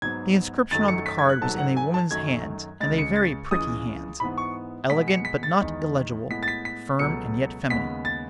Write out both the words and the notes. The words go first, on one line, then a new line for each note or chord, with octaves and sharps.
The inscription on the card was in a woman's hand, and a very pretty hand--elegant but not illegible, firm and yet feminine.
G#2 F#3 B3 G#6
F#2 D#3 F#3 A3 A6
C#7
B6
G#6
F#6
G#2 F#3 A3 A5
F#5
G#5
A5
F#2 D#3 F#3 A3 G#6
C#2 C#3 G#3 A6
C#7
A6
C#2 C#3 E3 G#3 D#6
G#2 E3 B3 B5
C#6
B2 G#3 B3 B6
C#7
B6
A6
E2 D#3 G#3
A2 G#3 B3 B6
A6
B6
B6
C#2 B2 F#3 A3 C#7
D#2 C#3 G#3 B3 B6
A6